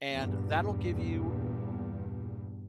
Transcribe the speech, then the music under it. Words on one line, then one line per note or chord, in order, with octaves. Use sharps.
and that'll give you"
E2 G2 A#2